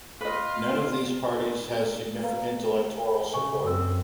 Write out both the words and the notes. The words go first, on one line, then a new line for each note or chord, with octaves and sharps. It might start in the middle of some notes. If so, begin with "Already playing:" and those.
None of these parties has significant electoral support.
F4 B4 D#5
B4 F5 A#5
C#3 G#5 C#6
F#2 C4 A4 E6